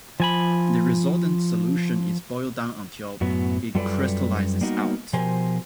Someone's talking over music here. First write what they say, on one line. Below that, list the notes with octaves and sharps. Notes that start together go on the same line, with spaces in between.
The resultant solution is boiled down until it crystallizes out.
F3 G#5 B5
F#2 A2 F#3 B3
F#2 G3 F4 A4 B4 D5
G3 A#3 B3 D#4 F#4 A#4
B2 F3 G4 A#4 C5 G#5